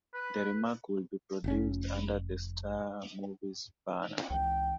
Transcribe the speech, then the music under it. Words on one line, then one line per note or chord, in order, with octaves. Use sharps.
The remake would be produced under the Staar Movies banner.
B4
F1 C4 C#4
C#2 E3 G5